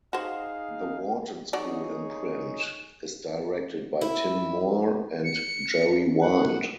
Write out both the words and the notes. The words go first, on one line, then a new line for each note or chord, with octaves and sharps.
The Wharton School imprint is directed by Tim Moore and Jerry Wind.
D#4 F#4 G#4 C5 F5
F#3 D#4 G#4 C#5 D5
E4
C#7
F#5